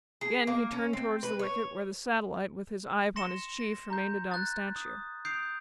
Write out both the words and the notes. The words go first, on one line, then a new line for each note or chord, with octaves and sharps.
Again he turned towards the wicket, where the satellite, with his eye upon his chief, remained a dumb statue.
G#4
A#3
C#4
C4
B4
C#5
C6 A#6 C#7 E7 G7
A#6
A#5 G6
F#6 A6
D#6
D#6 G6 C7 D7 F7